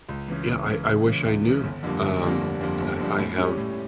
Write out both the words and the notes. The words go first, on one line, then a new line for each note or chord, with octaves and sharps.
Yeah. I I wish I knew. Um, I I have
C#2
C#3 E3
C#2
C#3 E3
C#2
C#3 E3
C#2
C#3 E3
G1
F2 D3 G3 A#3
G1
F2 D3 G3 A#3
G1
F2 D3 G3 A#3
G1
F2 D3 G3 A#3
A2
G3 C#4 G4
A2